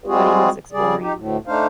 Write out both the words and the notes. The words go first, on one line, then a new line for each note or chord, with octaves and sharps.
what he was exploring
G3 G#3 C4 F4 F#4 G#4
C#3 G3 G#4 D5
D#4 G4
D2 A2
A3 D4 D#4 C5 F5